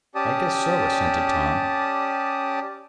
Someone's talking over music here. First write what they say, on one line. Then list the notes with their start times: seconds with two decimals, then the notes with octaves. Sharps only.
"I guess so," assented Tom.
0.15 C#4 G4 D5 A5 D#6